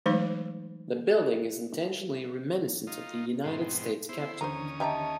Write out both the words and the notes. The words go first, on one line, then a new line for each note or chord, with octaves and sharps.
The building is intentionally reminiscent of the United States Capitol.
E3 F#3 G#3 A3 D#4 C5
D#4 F4
G#2 B2 C4
B3 E4 C5
D#2 D3 E3 C#4 D4 C5 A#5 D#6
G4 D#5 E5 A5 A#5